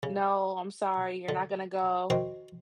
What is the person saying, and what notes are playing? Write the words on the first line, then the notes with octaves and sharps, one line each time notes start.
No, I'm sorry you're not gonna go."
C#3
D3
D#3 F#4 C5 G5